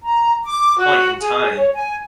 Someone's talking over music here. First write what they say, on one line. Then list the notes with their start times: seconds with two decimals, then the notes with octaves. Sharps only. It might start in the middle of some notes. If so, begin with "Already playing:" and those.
point in time
0.03 A#5
0.45 D6
0.79 F#4
1.20 G#4
1.57 C#5
1.74 G#5